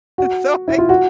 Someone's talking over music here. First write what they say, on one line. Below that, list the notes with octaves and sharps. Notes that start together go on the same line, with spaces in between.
so I
F#4
E4
F4
F#4